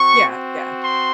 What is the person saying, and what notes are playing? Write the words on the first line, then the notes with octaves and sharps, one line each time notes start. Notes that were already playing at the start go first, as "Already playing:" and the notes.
Yeah, yeah.
Already playing: C4 F#4 C#6
C6